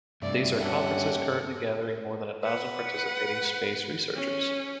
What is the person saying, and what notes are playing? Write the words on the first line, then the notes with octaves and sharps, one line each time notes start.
These are conferences currently gathering more than a thousand participating space researchers.
G2 C3 A3 D5 E5
A#3 C#4 G4 A4 E5 F#5 C6
B4 F#5
C#4